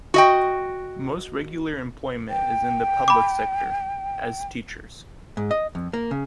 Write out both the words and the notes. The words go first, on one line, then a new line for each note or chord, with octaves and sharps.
Most regular employment is in the public sector, as teachers.
F#4 D#5 G5
G5
B5 D6
G#2
D#5
F2
A#3
C#3